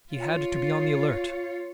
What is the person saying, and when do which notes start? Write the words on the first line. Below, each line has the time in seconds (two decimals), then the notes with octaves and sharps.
He had to be on the alert.
0.12 F4 C#5